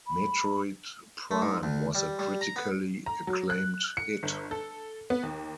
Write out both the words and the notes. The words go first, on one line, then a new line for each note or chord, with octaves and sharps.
"Metroid Prime" was a critically acclaimed hit.
B5
A3
G#2
D2
G3
G3
A#5
B3
A#5
F#3
F#6
C#7
G1
A4
B3
D#2